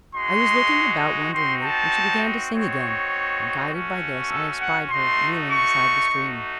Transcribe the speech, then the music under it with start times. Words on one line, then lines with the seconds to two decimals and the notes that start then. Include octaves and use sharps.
I was looking about wonderingly, when she began to sing again, and, guided by this, I espied her kneeling beside the stream.
0.14 G#3 D#4 F#4 C6
1.33 C4 D#4 F#4 C6
1.63 A5
2.52 C4 D#4 F#4 C#5
3.72 A3 C#4 F#4
4.31 A4
4.60 F#5
4.90 A3 D#4 F#4 C6
5.50 C#6
6.09 A3 D#4 F#4